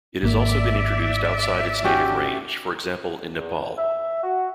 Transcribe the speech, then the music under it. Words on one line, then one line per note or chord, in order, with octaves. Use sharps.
It has also been introduced outside its native range, for example in Nepal.
G#1 A#3 D5 E5
C#4 F#4 G4
E2
E5
F#4